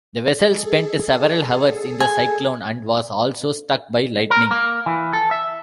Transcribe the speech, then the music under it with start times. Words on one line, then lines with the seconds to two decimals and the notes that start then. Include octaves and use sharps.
The vessel spent several hours in the cyclone and was also struck by lightning.
0.45 G#4 A4
2.00 G#5
4.30 A#4
4.51 A#3
4.86 E3
5.13 A4
5.31 E5